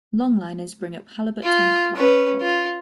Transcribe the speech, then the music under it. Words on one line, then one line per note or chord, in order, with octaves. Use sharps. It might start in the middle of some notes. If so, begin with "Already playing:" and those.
Longliners bring up halibut and black cod.
F4
C#4 B4
F4